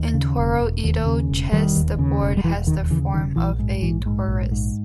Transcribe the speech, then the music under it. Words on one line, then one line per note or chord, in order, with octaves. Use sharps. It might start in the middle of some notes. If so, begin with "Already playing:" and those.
In Toroidal chess the board has the form of a torus.
Already playing: D#2
C#3
E1
E1
D#2
C#3
E1
E1 D#3 G3
D#2
C#3
E1
G3
E1 E3
D#2 D#3
C#3 E3
E1 D#3
A#1 E3
G#2
A#1 E3
G#2
A#1
G#2